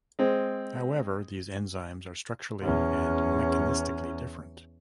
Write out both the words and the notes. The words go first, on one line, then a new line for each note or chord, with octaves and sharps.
However these enzymes are structurally and mechanistically different.
G#3 C4
E2 C#4